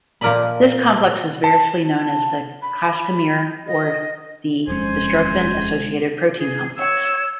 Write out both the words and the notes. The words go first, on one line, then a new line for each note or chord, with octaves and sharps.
This complex is variously known as the costamere or the dystrophin-associated protein complex.
A#2 F3 A#4 D5 D#5 B5
A5
B5
D#5
D#1 F2 G#3 C#4 C5 G#5
G#4
C#5 E6